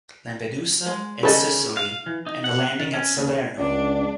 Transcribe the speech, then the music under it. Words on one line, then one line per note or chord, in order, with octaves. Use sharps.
Lampedusa and Sicily, and the landing at Salerno.
G#3
C#3 G3 A4 D#5
F5
E3
D#4
F#5
D#3
C#4
D#2
C#2 D4